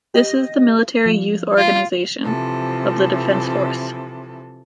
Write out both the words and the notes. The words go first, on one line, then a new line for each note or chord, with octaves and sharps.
This is the Military youth organisation of The Defence Force.
G4 D#5 A#6
F3
F4
C3 E3 F3 A4